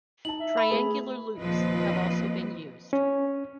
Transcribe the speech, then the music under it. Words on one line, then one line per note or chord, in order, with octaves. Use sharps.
Triangular loops have also been used.
D#4 A5 F#7
E5
B5
A3 G#4 B4
D#2 A#2 F3 C4 B4 D#5
C#4